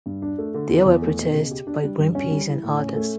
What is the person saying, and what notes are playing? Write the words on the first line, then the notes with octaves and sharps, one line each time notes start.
There were protests by Greenpeace and others.
G2
D4
A3
D3
E2
E2
A3
B2
C#3
G4
D4
G3
G2
C#4
G3
E3
A2
C#4
A3